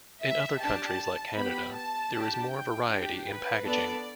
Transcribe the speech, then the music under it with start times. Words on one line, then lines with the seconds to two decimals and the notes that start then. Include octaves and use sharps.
In other countries, like Canada, there is more variety in packaging.
0.21 E5
0.59 D4 G4 A5
1.35 B3 G4 B5
1.74 A5
2.12 D4 G4
2.51 G5
2.88 D4 G4
3.27 B4
3.64 B3 D4 A4 D5